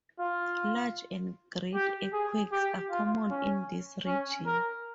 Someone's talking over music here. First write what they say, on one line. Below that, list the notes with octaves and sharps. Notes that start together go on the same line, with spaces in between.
Large and great earthquakes are common in this region.
F4
G4
G#4
G4
F4
C#4
C#4
A#4